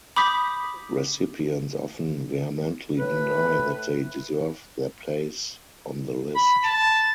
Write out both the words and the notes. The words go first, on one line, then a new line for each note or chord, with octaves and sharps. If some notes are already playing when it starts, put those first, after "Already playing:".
Recipients often vehemently deny that they deserve their place on the list.
B5 D6 D#6 G6 B6
A2 B4
B5
A5